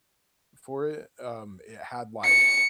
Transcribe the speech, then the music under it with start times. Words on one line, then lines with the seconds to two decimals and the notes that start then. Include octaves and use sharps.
for it, um, it had, like
2.25 C#7